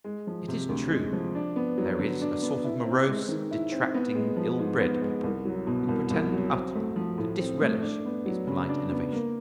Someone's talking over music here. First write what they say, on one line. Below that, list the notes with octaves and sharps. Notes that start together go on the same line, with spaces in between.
It is true there is a sort of morose, detracting, ill-bred people who pretend utterly to disrelish these polite innovations.
G#3
F3
C3
D2
G#3
F3
D4
B3
F#3
D3
D4
B3
E4
C4
G#3
D#3
E4
C4
B3
G#3
F3
G#2
B3
G#3
C2
F#3
B2
C2
C2
F#3
C4
A3
F3
A2
C4
A3
D4
B3
F#3
C#3
D4
B3
A#3